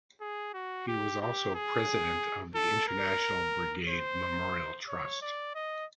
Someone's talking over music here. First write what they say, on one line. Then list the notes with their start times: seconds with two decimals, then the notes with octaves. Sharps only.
He was also President of the International Brigade Memorial Trust.
0.21 G#4
0.54 F#4
0.87 G4
1.21 G4
1.55 G#4
2.55 A4
2.88 A#4
3.88 C5
4.88 C#5
5.22 D5
5.55 D#5